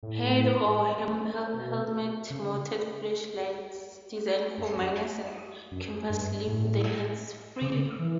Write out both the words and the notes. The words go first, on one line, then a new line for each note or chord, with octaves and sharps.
Head or helmet-mounted flashlights designed for miners and campers leave the hands free.
A2
B2
C#3
G2
F#2
F#2
G2
A2
C#3
E3